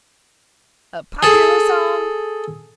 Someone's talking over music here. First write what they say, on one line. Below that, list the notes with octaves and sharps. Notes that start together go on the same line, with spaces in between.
"A popular song?"
G#4 A4